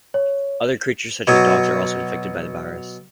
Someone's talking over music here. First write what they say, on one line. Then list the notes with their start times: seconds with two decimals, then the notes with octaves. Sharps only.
Other creatures, such as dogs, are also infected by the virus.
0.14 C#5
1.27 B2 F#3